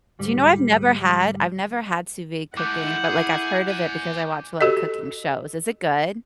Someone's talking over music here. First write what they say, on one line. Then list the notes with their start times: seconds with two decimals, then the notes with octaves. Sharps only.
Do you know I've never had I've never had sous vide cooking, but, like, I've heard of it because I watch a lotta cooking shows, is it good?
0.19 D2 G#2 G3
2.57 G#3 A3 E4 F#5 D6 F#6 G6
3.04 G#4
3.68 D5 G#5
4.61 F#4 G4 A4 D#5